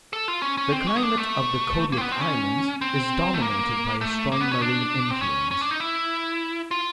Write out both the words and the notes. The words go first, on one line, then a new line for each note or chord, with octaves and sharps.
The climate of the Kodiak Islands is dominated by a strong marine influence.
A4
F4
C#4
C#4
C4
C#4
D#4
D4
A3
A#3
C4
B3
C4
C#4
C4
A3
A#3
A3
A#3
B3
C#4
D4
C4
C#4
C#4
D4
D#4
E4
F4